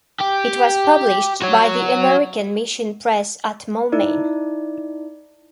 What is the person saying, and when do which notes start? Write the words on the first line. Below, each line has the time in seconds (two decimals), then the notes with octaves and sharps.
It was published by the American Mission Press at Moulmein.
0.20 G4
1.42 F#4 C#5
3.92 D#4 E4 D5